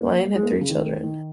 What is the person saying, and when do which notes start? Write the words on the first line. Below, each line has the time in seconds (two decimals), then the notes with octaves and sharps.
Lion had three children.
0.01 A#3
0.36 G#3
0.43 A#3
0.52 F#3
0.61 C#3
0.70 D#3
1.04 D#3